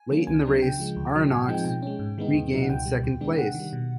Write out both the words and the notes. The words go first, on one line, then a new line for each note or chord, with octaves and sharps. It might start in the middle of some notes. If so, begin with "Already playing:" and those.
Late in the race Arnoux regained second place.
Already playing: G#5
D#3 F#3 A#3 C#4
C#2 G#5
C#3 F#3 B3 D4
C#3 G5
F3 G#3
D2
C#3 F#3
A2 G#5
G5
F3 G#3 C4 D#4
G5
B2 G5
G#3 C#4
G#2
D#3 G#3 B3 D#4
E2
B2 F#3 B3 D#4
F#5
C#2 G5
B2 G3
D#2
D#3 G#3 B3 D4
C3 F#5
D#3
G3
B2